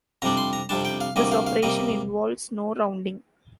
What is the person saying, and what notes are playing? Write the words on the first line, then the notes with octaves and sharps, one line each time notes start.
This operation involves no rounding.
F2 C3 G3 D4 A#5
C6
A#5
F2 C3 G3 D4 A5
G5
F5
D2 C3 G3 A#3 D#5
F5
F5
C3 G3 A#3 D#5